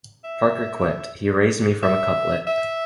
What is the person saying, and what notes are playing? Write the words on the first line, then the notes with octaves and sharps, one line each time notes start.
Parker quipped, He raised me from a couplet.
E5
E5
E5